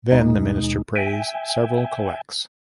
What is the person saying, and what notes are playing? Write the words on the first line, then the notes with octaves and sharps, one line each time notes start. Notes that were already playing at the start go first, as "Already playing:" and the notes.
Then the minister prays several collects.
D#2 B2 G#3 D#4
E5 G5 G#5